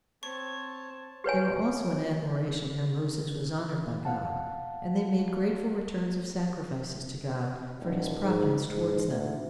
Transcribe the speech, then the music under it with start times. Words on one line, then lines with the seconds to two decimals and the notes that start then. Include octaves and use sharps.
They were also in admiration how Moses was honored by God; and they made grateful returns of sacrifices to God for his providence towards them.
0.23 C4 C#5 A5 C#6
1.24 G4 B4 C#5 G#5
4.05 F5 F#5 A5
7.80 D#1
8.23 G#2
8.69 G#2
9.08 D2